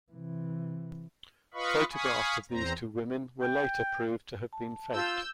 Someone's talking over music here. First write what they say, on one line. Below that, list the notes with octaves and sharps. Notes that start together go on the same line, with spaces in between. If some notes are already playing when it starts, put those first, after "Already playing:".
Photographs of these two women were later proved to have been faked.
C3 E3
F4 B4 D#5 F5 B5 C#6
F5 G#5 B5 C#6 D#6
E2 C4 C5 A#5
G5
A5
F4 E6 G6